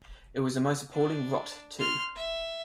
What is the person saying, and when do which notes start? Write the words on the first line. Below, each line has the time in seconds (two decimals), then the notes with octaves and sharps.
It was the most appalling rot, too.
0.93 D4
1.79 C6 F6
2.15 E5